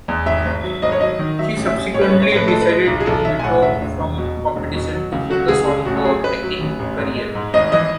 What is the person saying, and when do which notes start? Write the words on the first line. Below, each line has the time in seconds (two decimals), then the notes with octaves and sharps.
She subsequently decided to withdraw from competition to focus on her acting career.
0.08 E2
0.26 G#1 E5
0.45 G#1
0.63 F#3
0.82 G#1 D#5
0.92 C#5
1.01 F#3 D#5
1.19 D#3
1.39 F#3 E5
1.57 A1
1.67 E5
1.75 A1
1.94 A1 C#5
2.01 B4
2.10 A1 C#5
2.22 C#5
2.32 A2 B4
2.48 G#3 A4
2.62 B4
2.70 G#3
2.87 B1
3.00 G#4
3.06 B1 A4
3.25 B1 E5
3.39 G#5
3.44 A2 F#5
3.62 E1 E5
3.81 E1
4.00 E1
4.18 B2
4.37 B2
4.56 E1
4.74 B2
4.93 F#3
5.12 C#2
5.30 F#3 F#4
5.48 C#2 G#4
5.67 C#2 G#4
5.86 A1 F#4
5.97 A4
6.05 F#3 G#4
6.23 A1 B4
6.43 F#3
6.61 A1
6.79 A1
6.98 G#2
7.16 G#3
7.35 G#2
7.53 G#1 D#5
7.72 E3 D#5